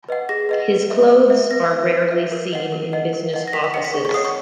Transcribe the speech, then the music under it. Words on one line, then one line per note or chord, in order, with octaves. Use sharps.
His clothes are rarely seen in business offices.
B4 D#5 F#5
G#4 A#6
B4 D#5 F#5
B4
E5
B4
E5
B4 A#6
E5
B4
E5
A#4
D#5 F#5
A#4
D#5 F#5
A#4
D#5 F#5
A#6
A#4 B6
B6
D#5 F#5 C#7
B6
G#4 C#6
C#6
C#5 F#5 D#6
C#6